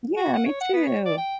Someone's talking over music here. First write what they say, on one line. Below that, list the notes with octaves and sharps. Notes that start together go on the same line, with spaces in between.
Yeah, me too.
F#4
F#5
C#5
F#5
B3
C#5
D5
G5